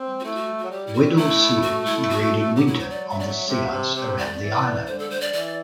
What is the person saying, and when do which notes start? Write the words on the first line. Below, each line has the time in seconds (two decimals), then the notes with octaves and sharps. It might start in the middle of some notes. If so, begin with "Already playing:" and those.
Weddell seals breed in winter on the sea ice around the island.
Already playing: C4
0.20 F#4
0.24 A3 E4
0.35 F#4
0.59 F#3 F#4
0.70 G3 G4
0.86 E4
0.94 F#4
1.17 A3 E4
1.62 F#4
1.85 E4
2.10 F#4
2.55 F#3 G4
2.67 E4
2.79 C5
2.90 D5
3.10 E5
3.19 D5
3.28 E5
3.48 C3 E5
3.66 B2
3.71 C3
3.95 C3 C5
4.17 D5
4.41 E3
4.86 D3 C5
4.99 A4
5.10 C5
5.21 D5
5.33 E3 D5